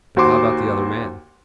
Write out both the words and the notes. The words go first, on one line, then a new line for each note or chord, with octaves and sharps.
"But how about the other man?"
D#2 F#4 C5 C6 D6